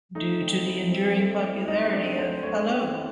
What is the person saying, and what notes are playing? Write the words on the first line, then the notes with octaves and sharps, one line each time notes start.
Due to the enduring popularity of 'Allo!
A3 D#4 D#5
C4
E4
C4
A3
E4
A3 D#4 D#5
C4 D4 D5
A3 C5
A3 C#5
C4
E4